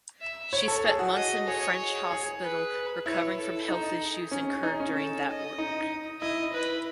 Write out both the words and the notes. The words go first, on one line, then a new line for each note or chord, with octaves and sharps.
She spent months in French hospital recovering from health issues incurred during that work.
E5
C#5
A4
G#4
F#4
D#5
G#4 C#5
G#4
B4
E4 C#5
A4
D#4 A4
G#4
C#4
D#4
C#4
A4
D#5
D#4
E4 D#5
B4